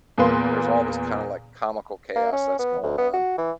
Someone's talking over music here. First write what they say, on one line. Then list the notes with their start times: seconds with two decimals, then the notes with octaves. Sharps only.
there's all this kind of like comical chaos that's going on.
0.18 E2 A#2 A#3 B4 C6
2.16 A#3
2.32 C#4
2.59 B3
2.83 D2
2.98 B3
3.13 F#4
3.38 E3